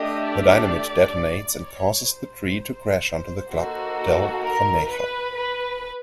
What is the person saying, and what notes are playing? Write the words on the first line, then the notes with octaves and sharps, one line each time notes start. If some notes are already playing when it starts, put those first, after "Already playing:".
The dynamite detonates and causes the tree to crash onto the Club Del Conejo.
Already playing: A3 D4 G4 D#5
D5
C#5
C5
A#3 D#4 F#4 A4
A#4
B4
B4